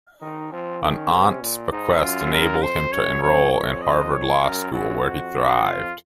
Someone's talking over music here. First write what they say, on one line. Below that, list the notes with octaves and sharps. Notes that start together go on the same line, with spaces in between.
An aunt's bequest enabled him to enroll in Harvard Law School, where he thrived.
D#3 D#4
F3 C4
D#3 C#4
C3 C#4
A#2
G#2 D#4
F#2 F4
A#4
F2 C5
F#2 C#5
F#2 C#5
F2 C#5
D#5
C#5
F#2 A#4
F#2 F#4
F2
F#2
F2 F4